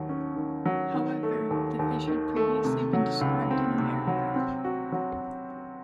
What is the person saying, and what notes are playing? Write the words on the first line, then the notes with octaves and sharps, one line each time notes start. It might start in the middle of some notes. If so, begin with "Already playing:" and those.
However, the fish had previously been described in America.
Already playing: D#2 D#3 F#3
C#4
D#3
F#3
D#3
A3
D#2
D#2
D#3
A3
C3
F#3
C#2
C4
C3
F#3
C4
F#4
F#3